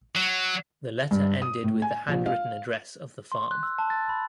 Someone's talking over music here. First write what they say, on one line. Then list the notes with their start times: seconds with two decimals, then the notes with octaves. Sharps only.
The letter ended with the handwritten address of the farm.
0.16 F#3
1.11 G2
1.42 D#6
1.64 A2
1.82 G#5
2.08 A#1
2.26 F5
3.32 C6
3.51 F#6
3.63 E6
3.78 A5
3.90 A6
4.09 B5